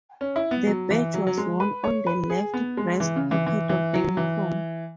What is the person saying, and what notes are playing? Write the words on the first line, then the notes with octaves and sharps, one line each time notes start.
The badge was worn on the left breast pocket of the uniform.
C#4
E4
B3
F#3
E3
F#3
F#3
G#3
B4
C#5
B4
G#4
B3
G#3
E3
C#3
E3
E3
E3
F#3
E3